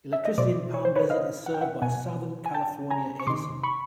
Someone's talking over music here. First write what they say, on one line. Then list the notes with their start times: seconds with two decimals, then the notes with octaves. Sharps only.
Electricity in Palm Desert is served by Southern California Edison.
0.13 E5
0.25 D#5
0.38 B2 C5 D5
0.74 C#5
0.85 C5
0.96 B4 C#5
1.10 D#5 F5
1.46 F#5
1.54 G5
1.61 E5 F#5
1.82 B2 F#5 G#5
2.46 G#5
2.54 G5 A5
2.90 G#5 A#5
3.20 C#6
3.27 C3 D#3 C6 D6
3.63 B5 C#6